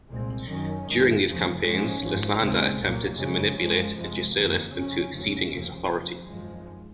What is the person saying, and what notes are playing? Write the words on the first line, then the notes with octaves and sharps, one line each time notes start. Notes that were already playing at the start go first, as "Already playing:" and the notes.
During these campaigns, Lysander attempted to manipulate Agesilaus into ceding his authority.
C2 A#2 G#3 C4
F#2 D#3 F#3 C#4
F#2 D#3 G#3
F1 D#2 C#3 F3
G#2 F3 G#3 C#4
G#1 G#2 F3
D#2 C#3 G#3 C4
C2 A#2 F#3 A#3
F2 C#3 G#3 C#4
F#2 F3 G#3
F2 C3 F3 G#3
F#1 F2 D#3 A#3
F2 C#3 F#3 C#4
F1 D#2 C#3 F#3 C#4
D#2 C#3 F3
F1 F2 C3 F3
G#1 F#2 F3 G#3